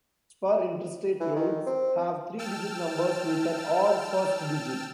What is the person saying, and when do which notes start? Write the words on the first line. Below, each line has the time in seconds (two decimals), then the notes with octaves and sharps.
Spur Interstate routes have three-digit numbers with an odd first digit.
1.20 E3
1.36 D#3
1.66 C4
2.39 G5 A5 E6 F6 A6